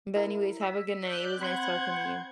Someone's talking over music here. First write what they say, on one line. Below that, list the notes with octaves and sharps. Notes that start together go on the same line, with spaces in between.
But, anyways, have a good night, it was nice talking to you.
E4 A#4
E6 B6
D5 F#6 G6
C4 F#5 B5 C6 G6 G#6